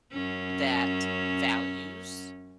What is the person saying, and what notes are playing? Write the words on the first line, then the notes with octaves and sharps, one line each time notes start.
that values
F#2 C#4